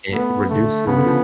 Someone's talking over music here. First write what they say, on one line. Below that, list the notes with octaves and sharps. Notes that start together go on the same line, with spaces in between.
it reduces
A3 B3
D3 A3
C#3 B3
D3
F3